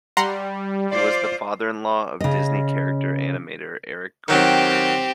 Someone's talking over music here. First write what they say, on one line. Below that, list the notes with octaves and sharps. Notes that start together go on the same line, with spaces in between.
He was the father-in-law of Disney character animator Eric Goldberg.
G3 F#5 A#5 C6
F4 C5 D5
C#3 D#5
D#3 F#3 C4 G4